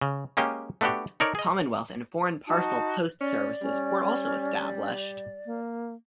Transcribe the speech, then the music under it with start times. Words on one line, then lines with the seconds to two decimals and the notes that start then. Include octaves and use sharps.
Commonwealth and foreign parcel post services were also established.
0.01 C#3
0.37 G#3 A#3 C#4 G4 G5
0.81 A3 B3 D4 F#4 G4
1.20 D#4 A4 A#4 C#5 D5
1.35 G#4 D#5
2.47 D#4 F#4 A5
3.20 C#4 D5
3.62 G3 C#4
5.46 A#3